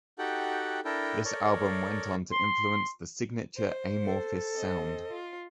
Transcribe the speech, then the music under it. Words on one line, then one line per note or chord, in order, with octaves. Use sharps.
This album went on to influence the signature Amorphis sound.
D#4 F#4 G4 A4 F#5 G5
D4 E4 A4 A#4 G5
A4 A#4 C#5 D5
C6
C5
A4
C4 D#5
F4